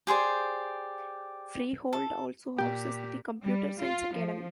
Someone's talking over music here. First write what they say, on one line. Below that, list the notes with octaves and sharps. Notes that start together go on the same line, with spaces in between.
Freehold also houses the Computer Science Academy.
G4 G#4 C5 D5
A4
A#2 G4 G5
G3
F4
F3